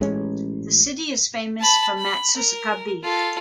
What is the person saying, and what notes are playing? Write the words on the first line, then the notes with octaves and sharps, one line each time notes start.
The city is famous for Matsusaka beef.
A1 G#3 C#4
A5 B5
B5
A#4
F4 A4